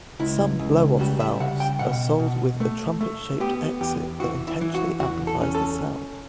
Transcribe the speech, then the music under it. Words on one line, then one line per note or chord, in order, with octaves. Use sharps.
Some blowoff valves are sold with a trumpet-shaped exit that intentionally amplifies the sound.
C#2 E4
C#2
G3 F#4
E5
C#3 F#5
G5
B2 F#5
B2
A3
A3
B3 G4
E2 G4
E3 F#4
E4
E3
F#4
E2 F#4
A4
C#4
A4